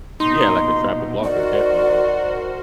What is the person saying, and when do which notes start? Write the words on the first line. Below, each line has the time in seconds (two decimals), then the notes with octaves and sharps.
Yeah, like a travel blogger, definitely,
0.20 A#1 B2 D#4 C6
1.24 F#4 A#4 C5 D5